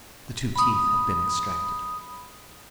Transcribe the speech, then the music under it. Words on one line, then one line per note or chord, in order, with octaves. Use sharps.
The two teeth had been extracted.
B5 D#6